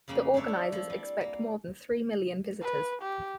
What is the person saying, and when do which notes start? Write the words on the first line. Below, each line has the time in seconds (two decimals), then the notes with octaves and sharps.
The organizers expect more than three million visitors.
0.08 F2 C#3 A#3 C#4 B5
0.34 A3 D4 C5 C#5 E5
0.48 E4
0.72 F3 E4
0.90 G3
1.21 A#3
2.62 B4
3.02 G4